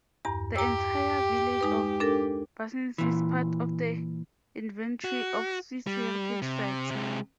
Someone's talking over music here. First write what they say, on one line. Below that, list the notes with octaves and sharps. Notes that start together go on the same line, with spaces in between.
The entire village of Bursins is part of the Inventory of Swiss Heritage Sites.
E2 G2 A#5
G4 A#5 E6
G#3 D#4 B4
D4 A4 A#4
A#2 E3
F#4
G3
C3
C3 G#3